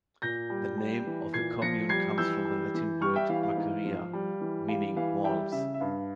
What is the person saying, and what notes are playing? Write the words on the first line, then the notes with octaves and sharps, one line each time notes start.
The name of the commune comes from the Latin word: "maceria", meaning walls.
A#2 G6 A#6
G3
G3
E3
A#2 G#6 C7
F3 A#6 C#7
G3 G#6 C7
E3 E6 G6
G3
E3
G3 C#6 F6
E5 G5
E3 F5
F5
G#2
F3
G3
E3
G3 F5
E3 F5
G3 E5 G5
C#3 E5
E5
G2 F5